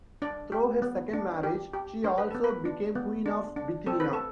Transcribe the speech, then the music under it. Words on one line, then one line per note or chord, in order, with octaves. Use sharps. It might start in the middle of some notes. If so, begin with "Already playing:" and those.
Through her second marriage, she also became Queen of Bithynia.
D4 D5
G4
B3
D4
G4
G4
D4 C5
B4
B3 A4
B4
D4
B3
D4
D4
C4 A4
B4
A4